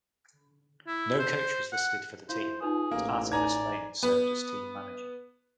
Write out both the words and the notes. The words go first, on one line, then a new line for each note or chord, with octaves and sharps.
No coach was listed for the team but Artemus Lane served as team manager.
E4
C5
F#5
E4 F4 C5 F5
D#4 F4 G#4 B4 C#5
A1 A#3
D#4 A4 B4 D5 G#5 A#5 G#6
B3